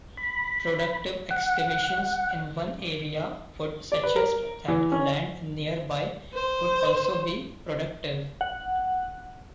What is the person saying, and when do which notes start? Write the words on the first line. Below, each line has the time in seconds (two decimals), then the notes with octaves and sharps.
Productive excavations in one area would suggest that land nearby would also be productive.
0.17 B5
1.31 F#5
3.92 D5
4.03 B4
4.16 A#4
4.68 E3
4.92 C#4
6.34 C5
8.41 F#5